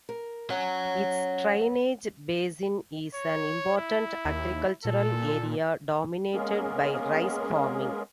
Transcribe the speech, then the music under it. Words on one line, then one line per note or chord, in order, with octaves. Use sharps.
Its drainage basin is an important agricultural area, dominated by rice farming.
A#4
C#4 C#5 F#5
C#5
E4
D#2
A#2 A4
G#3 A#3 B3 C#4 G#4 A#4